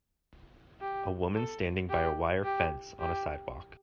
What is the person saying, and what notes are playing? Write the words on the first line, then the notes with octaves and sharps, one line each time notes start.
A woman standing by a wire fence on a sidewalk.
G4
A4
G4
G4
G4